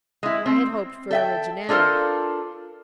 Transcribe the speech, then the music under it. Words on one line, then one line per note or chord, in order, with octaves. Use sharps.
I had hoped for originality.
G#3 E4
C4
A4 E5 G5
D4 F4 A4 A#4 C5